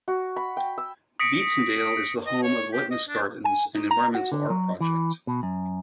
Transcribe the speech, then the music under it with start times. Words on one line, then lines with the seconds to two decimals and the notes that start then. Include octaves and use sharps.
Vintondale is the home of Litmus Gardens, an environmental art project.
0.08 F#4
0.36 B5
0.57 G5
0.78 E6
1.20 D#6 A#6 B6 C#7 D7
2.26 D#5
2.43 C#5
2.73 G4
2.91 D#5
3.09 D4
3.44 G#5
3.75 D#4
3.91 A#5
4.15 F#4
4.32 D3
4.50 F#3
4.81 E3
5.27 B2
5.43 F#2